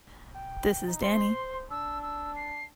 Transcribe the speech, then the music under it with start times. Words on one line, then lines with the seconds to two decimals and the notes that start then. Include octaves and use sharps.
This is Danny.
0.35 G5
0.87 D#4
1.02 C5 C6
1.71 D4 E6
2.02 E6
2.36 C7